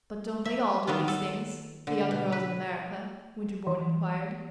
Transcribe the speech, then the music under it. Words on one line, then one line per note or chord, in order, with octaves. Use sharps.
"But don't they all do these things--the young girls in America?" Winterbourne inquired.
E5
D#3 F#3 B3 F4
A4
D3
B2
B4
E3